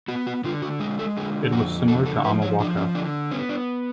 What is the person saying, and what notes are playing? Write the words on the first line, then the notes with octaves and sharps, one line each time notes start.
It was similar to Amawaka.
B3 F#4
F#4
D3 F4
F#4
G#3 G#4
A4
D3 G#4
F2 F#4
D3 A4
A4
F3 B4
C#5
F3 D4
C#4
D3 D4
B3 C#4
D4